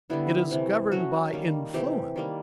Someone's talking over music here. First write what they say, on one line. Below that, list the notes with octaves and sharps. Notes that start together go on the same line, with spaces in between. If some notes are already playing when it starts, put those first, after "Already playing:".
It is governed by influence.
D3 G3 B3 E4
C3 E3 A3
F#3 A3 C#4 F#4
D#3 G3 A#3
C3 E3 A3 G4
D#3 G3 A#3